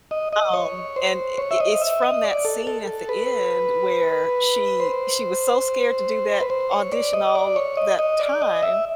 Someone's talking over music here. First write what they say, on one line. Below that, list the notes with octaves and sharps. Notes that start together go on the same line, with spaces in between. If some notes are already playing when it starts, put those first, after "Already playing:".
Um, and, i i it's from that scene at the end where she she was so scared to do that audition all that time,
D#5
D#5
C#5
C5
C#5
E5
D#5
E5
D#5
D5
A4
A4
A4
B4
C5
B4
C5
C#5
D5
D#5
D5
C#5
D#5
D#5
D5
D#5
E5